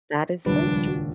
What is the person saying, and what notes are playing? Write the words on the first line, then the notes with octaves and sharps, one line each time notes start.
That is so true.
D#1 C#2 F3 G3 D4 B4